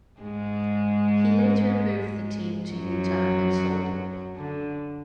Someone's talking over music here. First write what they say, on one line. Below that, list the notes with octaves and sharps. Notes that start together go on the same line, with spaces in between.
He later moved the team to Utah and sold it.
G#2 G#3
F#2 F#3
D3